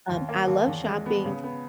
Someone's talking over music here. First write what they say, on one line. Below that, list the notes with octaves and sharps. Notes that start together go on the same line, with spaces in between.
Um, I love shopping
D#2
A#3
D#2
E2
G#3
B3
C#3
B3